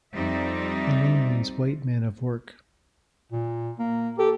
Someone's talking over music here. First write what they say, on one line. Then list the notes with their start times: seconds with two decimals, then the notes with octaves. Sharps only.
The name means white man of work.
0.14 F2 G3 C4 D#4 D5 E5
3.32 A#2
3.79 A#3
4.19 G4 A4